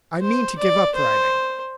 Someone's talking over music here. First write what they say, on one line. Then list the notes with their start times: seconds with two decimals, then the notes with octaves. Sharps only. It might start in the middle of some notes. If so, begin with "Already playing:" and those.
I mean to give up riding.
0.22 C5
0.58 D5
0.95 C5